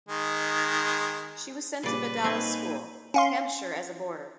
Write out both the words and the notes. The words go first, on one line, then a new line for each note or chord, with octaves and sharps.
She was sent to Bedales School, Hampshire as a boarder.
D#3 G#3
A#2 C#3 G3 B4 D5
A#3 C4 D#4 G#5
C#4 F5 C6